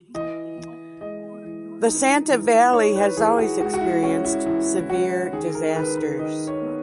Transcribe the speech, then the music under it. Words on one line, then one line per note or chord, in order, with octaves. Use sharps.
The Santa Valley has always experienced severe disasters.
E3 D#5
E3
G#3 D#5
E3
D#4
E3
D#4 C#5
B4
E3 G#4
F#4
G#3 F#4
F#4
E4
C#4 F#4
E4
E3 E4
E4
C#4 F#4
D#3 G#4
A#4
D#3 B4
B4
D#3 D#5
C#5
B3